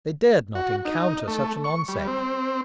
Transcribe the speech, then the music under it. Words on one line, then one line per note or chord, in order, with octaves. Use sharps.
They dared not encounter such an onset.
F#4
D#4
A3
C#6
G3
C4